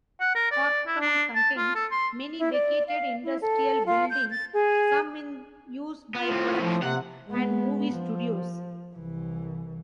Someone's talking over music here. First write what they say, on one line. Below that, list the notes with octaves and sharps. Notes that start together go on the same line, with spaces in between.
Corktown contains many vacated industrial buildings, some in use by production and movie studios.
F#5
A#4
D5
E4
D4
A5
F4
A4
C6
E4
D5
F5
E4
A4
F4
G6
A6
G#4
B3 F4
A2 C4
F3
C3 F#5
G#3 B3
F3
C2 E3